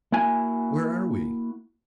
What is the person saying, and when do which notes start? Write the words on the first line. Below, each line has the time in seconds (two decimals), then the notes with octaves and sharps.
"Where are we?"
0.12 A#3 E4 F#4 G#5